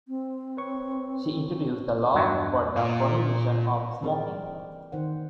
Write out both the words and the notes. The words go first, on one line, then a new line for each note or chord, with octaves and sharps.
She introduced the law for the prohibition of smoking.
C4
B4 C#5 C#6
E2 G2 B2 F#3 D4
A#2
E3 C4 G#4 A#4 D5
D#3 C5 F#5